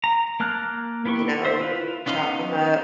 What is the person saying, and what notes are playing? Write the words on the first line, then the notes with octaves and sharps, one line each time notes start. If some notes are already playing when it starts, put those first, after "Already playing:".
you know, chop ‘em up
A#5
A#3 A5 F6 F#6
B3 E4 G4 C#6
C5 E5
E4 F4 B4
B3 C#4 D#4 F5 C6